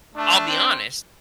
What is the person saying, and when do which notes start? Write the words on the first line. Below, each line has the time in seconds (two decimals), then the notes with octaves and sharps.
I'll be honest,
0.15 A3 D4
0.47 C4